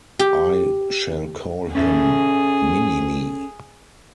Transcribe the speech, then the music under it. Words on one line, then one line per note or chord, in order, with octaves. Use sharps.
I shall call him... Mini-Me.
G4
C#4 G#4 A4 E5